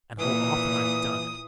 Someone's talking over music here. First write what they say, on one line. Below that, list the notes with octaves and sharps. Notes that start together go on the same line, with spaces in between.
And how often I've done it!
A#2 E3 D#6